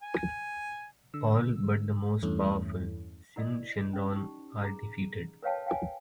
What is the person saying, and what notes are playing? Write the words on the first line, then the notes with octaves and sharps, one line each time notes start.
All but the most powerful, Syn Shenron, are defeated.
G#5
D3 E6
E2 G2 A3 C#4 E4
E4 A#4 D5 D#5
C#4 C5
D#4 G4
G#4 A#5
A#4 B4 C#5 F5 G5 A5
F5 G5 G#5